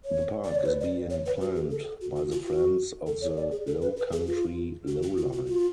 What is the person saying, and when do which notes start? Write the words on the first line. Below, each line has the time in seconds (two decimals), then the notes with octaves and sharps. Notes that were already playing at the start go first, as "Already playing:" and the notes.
The park is being planned by the Friends of the Lowcountry Lowline.
0.05 C#5
0.44 D5
0.55 C#5
0.65 B4
0.81 D5
1.10 C#5
1.26 B4
1.41 F#4
1.56 G#4
1.71 A4
2.01 F#4
2.16 F#4
2.32 F4
2.46 F#4
3.07 A4
3.22 C#5
3.37 D5
3.51 G#4
3.67 A4
3.82 B4
3.97 B4
4.12 G#4
4.27 F4
4.87 F#4
5.03 F#4
5.18 F4
5.32 F#4
5.48 F4